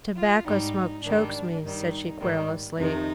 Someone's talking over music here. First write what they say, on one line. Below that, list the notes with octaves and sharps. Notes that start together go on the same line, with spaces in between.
'Tobacco-smoke chokes me!' said she, querulously.
F4
G#2 G3 D#4
G#2 D#3 G3 D4
G2 D#3 G3 D#4
G#2 D#3 G3
F2 C3 D#3 D#4